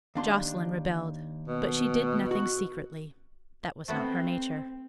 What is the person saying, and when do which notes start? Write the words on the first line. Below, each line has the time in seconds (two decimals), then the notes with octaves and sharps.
Joscelyn rebelled, but she did nothing secretly ... that was not her nature.
0.15 D#2 D4 C6
1.47 B2
2.31 F#4
3.88 A3 B3 C4 F#4